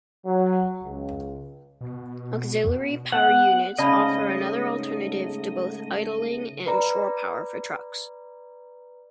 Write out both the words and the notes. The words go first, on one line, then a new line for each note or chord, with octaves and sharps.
Auxiliary power units offer another alternative to both idling and shore power for trucks.
F#3
C#2
B2
B3 F#5
G#2 C#3 A3 D5 D#5 A5 B5
B4 D5 A#5